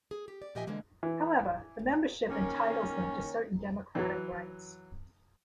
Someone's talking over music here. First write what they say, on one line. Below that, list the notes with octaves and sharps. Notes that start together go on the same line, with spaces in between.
However, the membership entitles them to certain democratic rights.
G#4
G4
D5
A#2 F3 G4 D#5 E5 G#5
D3 E3 G#3 A#3
E3
D#3 A#3 C#4
E3 F#3